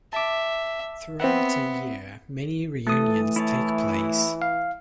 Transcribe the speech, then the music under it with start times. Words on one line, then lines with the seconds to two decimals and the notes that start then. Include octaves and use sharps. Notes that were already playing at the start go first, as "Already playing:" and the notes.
Throughout the year, many reunions take place.
0.13 E5 A5 D6
1.20 B3 C4 E5 F#5
2.87 E3 A3 A4 D#6
3.36 E4 C#5 A5
4.42 F5